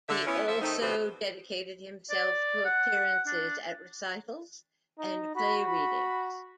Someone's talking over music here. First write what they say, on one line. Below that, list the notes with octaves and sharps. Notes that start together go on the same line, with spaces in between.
He also dedicated himself to appearances at recitals and play readings.
D3 E5
B3 C#4 E4
F3 E5
D#3 A3 C4 D#4
F2 B2 D3 G4 B4 C5
D5
F#5
D4
D#4
F#4 B5
B5